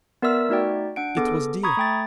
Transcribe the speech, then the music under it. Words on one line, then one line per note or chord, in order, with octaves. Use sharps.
It was Dea.
B3 A#4 D5 E5 E6
A3 D#4 F#4 D5 G5
D4 F#5 D7
B3 G#4 A4 D6
A#5 B5 C#6 D#6 G#6
A3 G5 A6